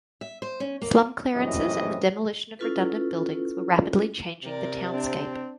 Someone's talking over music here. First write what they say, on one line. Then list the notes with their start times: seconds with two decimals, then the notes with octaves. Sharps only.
Slum clearances and the demolition of redundant buildings were rapidly changing the townscape.
0.21 E5
0.42 C5
0.60 C#4
0.82 A#3
1.34 A#1 F#2 A2 C3 E3 D#5
2.59 C#4 E4 F4 A4 B4
4.44 C3 A#4 D5
4.93 C4 D4